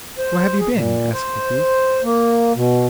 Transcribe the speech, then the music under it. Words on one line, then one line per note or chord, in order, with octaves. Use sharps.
'Where have you been?' asked the thief.
C5
G#4
A#2
C5
A#3
B2